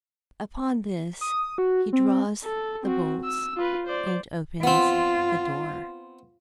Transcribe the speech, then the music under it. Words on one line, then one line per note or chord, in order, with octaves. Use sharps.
Upon this he draws the bolts and opens the door.
D#6
F#4
C4
A4
C4 F#4
E6
F4 B4
C5 D5
B3 C4 F4